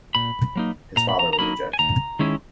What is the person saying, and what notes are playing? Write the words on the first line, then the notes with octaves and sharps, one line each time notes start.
His father was a judge.
A#2 B5
F#3 A#3 D#4
A#2 A#5
B5
A#5
A#5
F#3 A#3 D#4 B5
G#5
D#2 A#5
D#3 G#3 C#4 E4